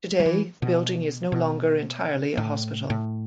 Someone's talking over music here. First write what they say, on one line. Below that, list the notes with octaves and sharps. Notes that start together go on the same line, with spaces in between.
Today, the building is no longer entirely a hospital.
F#3
E3
B2
B2
A2
A2